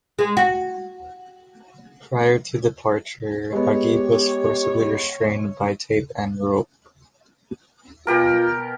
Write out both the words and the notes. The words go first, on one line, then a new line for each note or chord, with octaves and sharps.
Prior to departure, Ageeb was forcibly restrained by tape and rope.
G#3
F#4
G#3 B3 G4 C#5
B2 F4 G4 A#4